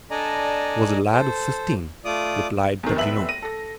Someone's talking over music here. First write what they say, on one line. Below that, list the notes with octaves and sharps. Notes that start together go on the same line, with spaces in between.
"Was a lad of fifteen," replied Peppino.
D4 A4 D5 D#5 G#5 A#5
A4 C5
A3 F4 D5 D6 D#6
E2 C3 D#3
F1 B3 E5 F#7
A#6 D#7
A4 A#6